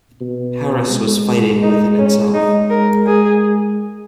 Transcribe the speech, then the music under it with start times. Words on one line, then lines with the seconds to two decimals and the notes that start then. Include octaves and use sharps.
Paris was fighting within itself.
0.21 B2
0.91 G#3
1.63 D#4
1.98 C#4
2.34 G#3 D#4
2.70 A#4
3.07 G#4